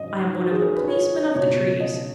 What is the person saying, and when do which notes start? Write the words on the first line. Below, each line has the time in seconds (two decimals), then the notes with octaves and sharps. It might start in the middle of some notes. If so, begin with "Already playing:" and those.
I am one of the policemen of the trees.
Already playing: G#1 F#2 C#3 D#5
0.39 F#4
0.51 G#4
0.63 A#4
0.75 B4
0.88 C#5
1.34 C#2 B2 C#5
1.80 D#5